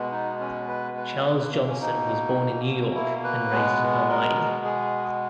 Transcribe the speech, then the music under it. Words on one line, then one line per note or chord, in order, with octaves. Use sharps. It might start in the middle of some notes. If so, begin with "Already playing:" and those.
Charles Johnson was born in New York and raised in Hawaii.
Already playing: B2 G#3 B3
D#4
C#4
B4
B4
B2 A#3 B4
B4
C#4
D#4
E4
B4
B2 G#3 B3
A#4
G#4